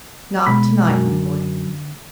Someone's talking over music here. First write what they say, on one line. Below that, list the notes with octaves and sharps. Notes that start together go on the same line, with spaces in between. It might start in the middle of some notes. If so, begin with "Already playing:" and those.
"Not tonight, my boy."
B2 G#3 B5
F#2
D3